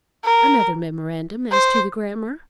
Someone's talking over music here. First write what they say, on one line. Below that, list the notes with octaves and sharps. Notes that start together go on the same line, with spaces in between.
Another memorandum as to the grammar.
A#4
C5